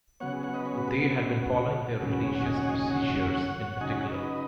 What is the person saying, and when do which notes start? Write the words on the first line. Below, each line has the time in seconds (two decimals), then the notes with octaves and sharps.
They had been following their religious procedures in particular.
0.20 C#3 F#3 B3 C#5 F#5
0.32 G#4
0.43 C#5 F#5
0.54 B4 D#5
0.65 G#4 C#5
0.78 F#4 B4
0.88 G#4
1.00 F#4
1.11 F#4
2.01 D#2 C#3 F#3 C#4 G#4
2.12 F#4 B4
2.23 G#4 C#5
2.35 C#5 F#5
2.46 D#5 G#5
2.57 C#5 F#5
2.68 D#5 G#5
2.79 D#5 G#5
2.90 C#5 F#5
3.81 C#3 F#3 D#4 D#5 G#5
3.92 C#5 F#5
4.03 G#4 C#5
4.14 B4 D#5